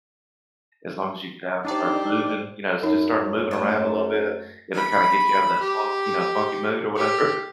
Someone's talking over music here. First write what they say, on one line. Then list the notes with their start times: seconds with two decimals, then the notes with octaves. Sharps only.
as long as you get out and start moving, you know, st just start moving around a little bit, it'll kinda get you out of that funk, you know, funky mood or whatever.
1.65 D4 D#4 G4 C5 D5
2.83 F#2 D#4
3.51 A3 D4
4.74 B5
5.60 G4
6.96 G4